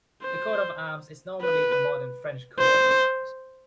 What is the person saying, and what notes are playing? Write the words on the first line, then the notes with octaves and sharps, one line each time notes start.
The coat of arms is normally a modern French coat of arms.
C5
B4
C5